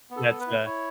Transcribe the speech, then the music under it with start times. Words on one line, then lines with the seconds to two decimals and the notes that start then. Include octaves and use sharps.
That's the
0.10 B3
0.17 A4
0.28 B3
0.41 B4
0.47 E4
0.65 E4 C#5